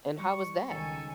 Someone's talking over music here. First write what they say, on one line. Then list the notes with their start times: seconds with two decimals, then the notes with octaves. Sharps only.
And how was that?
0.18 G3 C#6
0.70 C#2 D#3 A4 G#5